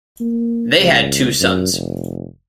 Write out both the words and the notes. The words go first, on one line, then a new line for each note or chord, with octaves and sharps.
They had two sons.
A#3
C#2
F#2
F1